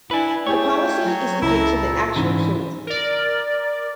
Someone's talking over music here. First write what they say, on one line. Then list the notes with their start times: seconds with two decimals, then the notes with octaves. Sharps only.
The policy is to get to the actual truth.
0.11 D4 E4 B4 G#5
0.47 A3 E4 G4 G#4 C#5 G5
1.05 F#3
1.42 C#2 E4 A4 A#5
1.83 A#2
2.16 G#2 C#3 E3
2.87 A#4 D5